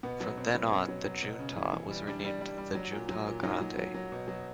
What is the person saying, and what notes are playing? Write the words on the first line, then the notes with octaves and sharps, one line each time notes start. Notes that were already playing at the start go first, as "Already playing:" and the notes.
From then on, the Junta was renamed the "Junta Grande".
B2 B3
F#3
B2 C4
F#3 B3
F#3 C#4
F#3
F#3
B2
C#3
E3
E3
G3
G3 D4
G3
G3
G3
F#3
A#2
F#3
A#2
F#3 D#4
F#3
F#3
F#3
B2
F#3